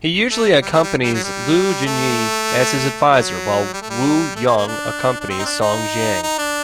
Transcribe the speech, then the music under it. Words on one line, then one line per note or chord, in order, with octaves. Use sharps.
He usually accompanies Lu Junyi as his advisor while Wu Yong accompanies Song Jiang.
A3
G3
A3
G3
G3
F#3
G3
A3
F#3
G3
A3
G3
A3
A#3
A#3
D4
D4
C4
D#4
D4
D#4
D#4
D4